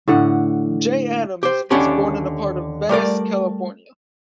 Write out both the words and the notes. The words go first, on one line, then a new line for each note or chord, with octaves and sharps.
Jay Adams was born in a part of Venice, California.
A2 D3 F#5
G4 C5
D#2 D3 C#4 D4 G4 B5
G3 A3 A#4 D5